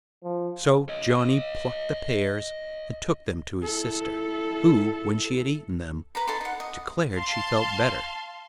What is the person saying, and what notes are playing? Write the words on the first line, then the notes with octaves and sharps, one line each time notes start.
So Janni plucked the pears and took them to his sister, who, when she had eaten them, declared she felt better.
F3
C#5 D#5
E4 A4
B4 A#5 B5
D#4 A4 B5 C6
D#4 F#5
D#5
F5 A5 C6